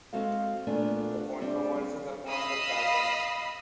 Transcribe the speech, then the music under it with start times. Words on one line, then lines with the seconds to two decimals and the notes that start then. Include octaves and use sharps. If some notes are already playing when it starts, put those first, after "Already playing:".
The controversies upon the patents.
0.13 G#3 C4 F#4 A4 C5 F5
0.67 A#2 A3 B3 D4 F4 G#5
1.41 G3 C4 D4
1.79 B4
2.29 D#5 F5 B5 D#6 E6